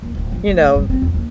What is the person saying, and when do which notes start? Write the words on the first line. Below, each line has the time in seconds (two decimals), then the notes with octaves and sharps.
you know?
0.02 D#2
0.15 D1
0.32 F3
0.48 A3
0.62 D2
0.75 G2
0.90 C4
1.02 E2
1.14 D#2